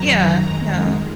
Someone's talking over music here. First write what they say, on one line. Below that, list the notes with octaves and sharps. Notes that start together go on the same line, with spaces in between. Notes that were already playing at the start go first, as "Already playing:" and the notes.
Yeah, yeah.
Already playing: F#2 D#3 F#3 A#5
A#5
F2 D#3 G#3